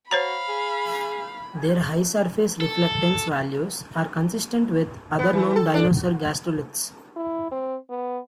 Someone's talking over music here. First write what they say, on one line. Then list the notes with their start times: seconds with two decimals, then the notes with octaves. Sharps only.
Their high surface reflectance values are consistent with other known dinosaur gastroliths.
0.11 F#4 C5 C#5 F5 A#5 B5
0.48 G#4
2.61 A4
5.19 B3
5.33 E3
5.56 A4
5.74 D4
7.16 E4
7.51 C4
7.90 B3